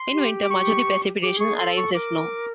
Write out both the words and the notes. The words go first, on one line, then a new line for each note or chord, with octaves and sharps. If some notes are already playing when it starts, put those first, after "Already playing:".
In winter, much of the precipitation arrives as snow.
Already playing: C6
G4
D6
C#6
G#4 D6
G4
G#4 C#6
A4 C6
C#6
A#4 D6